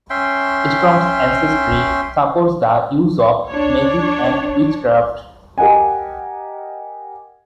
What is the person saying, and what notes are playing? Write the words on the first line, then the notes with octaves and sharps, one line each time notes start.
Storm's ancestry supports the use of magic and witchcraft.
C#4 E5 G5 C6
D4 C#5
G4 A#4 D#5 F#5 G#5